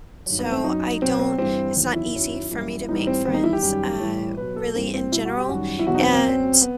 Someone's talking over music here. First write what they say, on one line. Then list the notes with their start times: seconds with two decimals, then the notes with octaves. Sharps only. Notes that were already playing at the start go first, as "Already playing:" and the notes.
So, I don't it's not easy for me to make friends, uh, really, in general, and,
0.26 G2 D#3 F#3
0.39 B3
0.52 C4
0.63 F#2 F#3 D#4
1.02 B2 F#3 C4
1.19 C4
1.38 G2 E3 G3 C4
1.76 E2 D#3 F#3
1.94 E4
2.13 F#2 D#3 F#3
2.51 F#2 E3 G3 E4
2.88 A2 E3 G3 D#4
3.07 C4
3.25 E2 D#3 G3 C4
3.34 D#4
3.44 E4
3.53 G4
3.62 F#2 D#3 G3
4.00 A2 E3 G3
4.37 B2 F#3 B4
4.56 A4
4.75 G2 E3 G3 C4
4.94 C4
5.12 B2 G3 E4
5.25 F#4
5.37 G4
5.49 F#2 D#3 G3 F#4
5.79 E4
5.87 E2 B2 F#3 F#4
5.95 D#4
6.00 C4
6.13 C4
6.24 F#2 F#3
6.61 B3